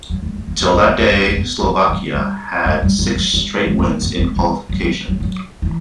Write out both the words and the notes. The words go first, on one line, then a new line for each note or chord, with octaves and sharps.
Till that day, Slovakia had six-straight wins in qualification.
F#3
G3
A3
A#3
A#3
B3
B3
B3
C4
C4
B3
F3
F#3
G3
G#3
G3
G3
F#3
G#3
G#3
G3
G#3
B3
G#3
G#3
F#3
F#3
F#3
F#3
E3